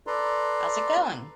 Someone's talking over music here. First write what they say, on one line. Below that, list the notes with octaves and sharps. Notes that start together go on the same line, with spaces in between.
How's it going?
A4 B4 D5 A#5 C6